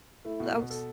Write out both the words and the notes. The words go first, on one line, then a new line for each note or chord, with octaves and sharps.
I was
A3 E4
B2
B2
A4